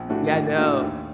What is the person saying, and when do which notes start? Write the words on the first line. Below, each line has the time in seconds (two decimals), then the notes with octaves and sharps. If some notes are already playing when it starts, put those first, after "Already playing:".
Yeah, no.
Already playing: A#1
0.09 A2 A3 D4 F#4
0.34 A#1
0.57 A2 A3 D4 F#4
0.81 D#2